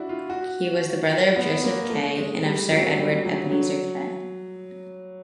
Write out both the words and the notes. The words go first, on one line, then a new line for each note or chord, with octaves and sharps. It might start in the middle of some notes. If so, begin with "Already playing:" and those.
He was the brother of Joseph Kay and of Sir Edward Ebenezer Kay.
Already playing: D4 E4 F#4
F4
F#4
F4
B3
A#3
A3
G#3
G3
F#3
G3
F#3
F#3